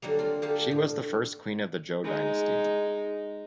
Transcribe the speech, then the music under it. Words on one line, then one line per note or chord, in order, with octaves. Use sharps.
She was the first queen of the Zhou dynasty.
D3 F#3 G3 A#3
C4 F4
D3 A#3 G4 A4 F5
A2
G#3 D#4